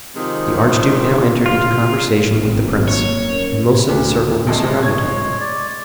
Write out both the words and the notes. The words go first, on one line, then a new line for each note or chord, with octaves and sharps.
The archduke now entered into conversation with the prince, and most of the circle who surrounded him.
C3 D#3 F3 G#3
F4
G#1 F#2
A#3 C#5
C#4 A#4
D2
A#1 F2 G#3
C#5 G#6
G#3
D5